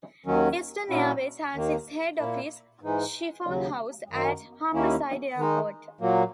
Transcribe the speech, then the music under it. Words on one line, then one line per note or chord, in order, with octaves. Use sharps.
Eastern Airways has its head office, Schiphol House, at Humberside Airport.
D#2 D#3 F#3 C#4
A#2 F#3 C#4 E4
D#2 D#3 A#3
A#2 A#3 E4
G#2 E3 G#3 D#4
D#2 C#3 F#3
F#2 D#3 A#3
D#2 D#3 A#3 C#4 E4
D#3 G#3 D#4
A#2 F#3 A#3